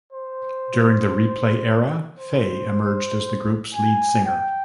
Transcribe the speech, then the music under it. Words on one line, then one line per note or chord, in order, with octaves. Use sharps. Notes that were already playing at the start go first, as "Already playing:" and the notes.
During the Replay era, Faye emerged as the group's lead singer.
C5
C5
G#5
G5